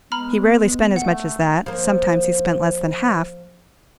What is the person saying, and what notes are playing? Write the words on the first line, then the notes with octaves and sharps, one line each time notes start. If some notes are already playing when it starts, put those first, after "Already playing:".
He rarely, spent as much as that; sometimes he spent less than half.
G#3 B3 A#5 B5 F6
A3 F#5
F3 A#3